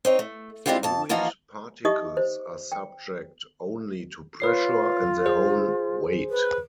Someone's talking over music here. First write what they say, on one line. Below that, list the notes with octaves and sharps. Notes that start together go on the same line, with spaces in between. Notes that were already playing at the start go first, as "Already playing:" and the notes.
Fluid particles are subject only to pressure and their own weight.
C4 D#4 C#5
A3
G#3 C4 D4 E4 F4 G4
F2 A5
E3 F3 A#3 D#4 F4 F#4
D#4 G4 D#5 E5 C#6 D#6
C5
G5
F4 B4 C#5 C7
G#4 C5
B4